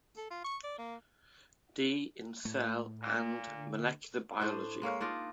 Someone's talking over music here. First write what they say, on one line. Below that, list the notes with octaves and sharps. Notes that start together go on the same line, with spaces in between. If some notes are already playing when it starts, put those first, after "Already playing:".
D in cell and molecular biology.
A4
F4
C#6
D5
A#3
A2 A3
A#2
D3
A2 D4 C5
G#3 A#3 C#5 F5
D4 D#4 F4 A#4